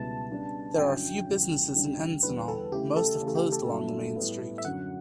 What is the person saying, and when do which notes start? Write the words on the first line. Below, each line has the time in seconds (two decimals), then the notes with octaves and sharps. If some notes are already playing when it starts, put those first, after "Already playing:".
There are few businesses in Encinal; most have closed along the main street.
Already playing: C#2 B2 G3 B3 E4 A5
0.31 C#3 G3 B3 D4
0.78 G2 D3 F#3 C#4 E4 G5
1.28 E2 C#3 G3
1.75 D2 C#3 G3 D4
2.23 E2 D3 G3 B3 D4 B4
2.48 A4
2.72 C#3 E3 A3 E4 G4
2.97 A4
3.20 C#3 E3 A3 C#4
3.28 A4
3.35 G4
3.52 A4
3.68 G2 F#3 A3 E4
4.16 A2 G3 B3 E4
4.58 E5
4.64 F#2 D3 F#3 F#5